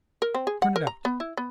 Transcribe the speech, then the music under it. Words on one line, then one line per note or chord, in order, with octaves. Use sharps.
"Turn it out!"
A#4
C4
G#4
F#5
A#4
A#5
B3
E4
B3